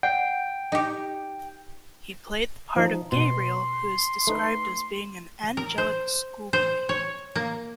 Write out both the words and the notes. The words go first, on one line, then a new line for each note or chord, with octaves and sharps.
He played the part of Gabriel who is described as being an 'angelic schoolboy'.
F#5 G5
D#4 G4
F3 D#4
B2 C6
A3 D#4 B4
A#4
C5
C5
C#5
A#3